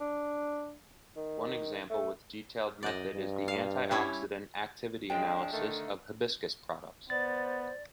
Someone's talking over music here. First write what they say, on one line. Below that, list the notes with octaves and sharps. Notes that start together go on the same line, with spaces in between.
One example with detailed method is the antioxidant activity analysis of Hibiscus products.
D4
D#3
A3
F#2 D5 D#5
G2
F5
G3 C#4 E4
F3 G#3 D4 G5
D3 D#3 A3
B3 C5 D5 A6